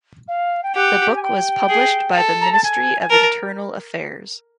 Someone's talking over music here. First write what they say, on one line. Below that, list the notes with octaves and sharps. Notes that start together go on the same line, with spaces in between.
The book was published by the Ministry of Internal Affairs.
F5
G5
G4 F#5
G#5
G5
G#4
A4
A#5
A5
G#5
G#5
A#4 A5